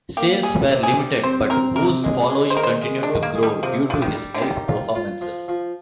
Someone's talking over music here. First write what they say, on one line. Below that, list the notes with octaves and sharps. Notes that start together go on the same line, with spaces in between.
Sales were limited but Wu's following continued to grow due to his live performances.
A#3 G4
G3 G#4
C3
G#4
G3
C4 C5
C4 A#4
C3 A#4
G#3
G#3
C5
D#3 A#4
C5
G#3
D4
D#3
A#3
G#4
G3
C3 F3
F3 D4
D#3
G3
D3
D#3 G3
F4
F4
F3
F3